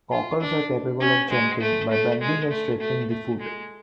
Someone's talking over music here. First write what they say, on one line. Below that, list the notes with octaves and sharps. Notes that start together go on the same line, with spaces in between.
Cockles are capable of "jumping" by bending and straightening the foot.
F4
D4
C#4
G#3
A3
A3
G#3
A3
A3
A3
G#3